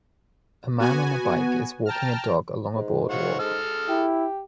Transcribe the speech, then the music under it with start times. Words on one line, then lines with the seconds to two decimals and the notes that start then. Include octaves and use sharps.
A man on a bike is walking a dog along a boardwalk.
0.79 B3 F#4 G#5
1.85 G5 A5 A#5 F6
2.76 G#2
3.10 F4 C#5 F#5
3.39 G#3 A4 F6
3.89 E4 G4